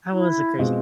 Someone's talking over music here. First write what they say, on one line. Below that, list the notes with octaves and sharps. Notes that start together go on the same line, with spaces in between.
that was it crazy
E4
B2 G#3 C4 F4